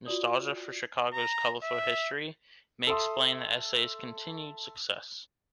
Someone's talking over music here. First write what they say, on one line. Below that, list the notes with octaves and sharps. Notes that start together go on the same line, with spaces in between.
Nostalgia for Chicago's colorful history may explain the essay's continued success.
F4 F#4 D5 D#6
A#5
E5
A4 E5 C6 D#6